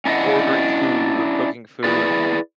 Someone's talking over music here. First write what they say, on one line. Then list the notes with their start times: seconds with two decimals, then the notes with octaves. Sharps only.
ordering food or cooking food,
0.05 C#4 D4 E4 C5 D#5 F#5
1.84 E4 G#4 B4 D5